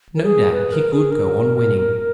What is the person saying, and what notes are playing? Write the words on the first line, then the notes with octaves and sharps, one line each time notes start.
No doubt he could go on winning.
A#4
G#4
B4
A#4
G#4
A#4